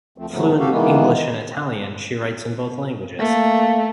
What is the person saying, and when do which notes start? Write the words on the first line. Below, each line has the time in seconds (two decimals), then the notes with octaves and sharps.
Fluent in English and Italian, she writes in both languages.
0.18 D2 F3 A3 C4
0.31 G#2 C#3 F3 F#3 A3 B3
0.59 F#4 G4 A4 F5
0.70 D#3 E3 G#3 A#3 B3
3.20 A3 A#3